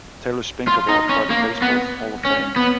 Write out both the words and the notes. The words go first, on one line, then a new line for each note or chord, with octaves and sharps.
Taylor Spink Award by the Baseball Hall of Fame.
F4
D#4
C#4
A#3
B3
C#4
B3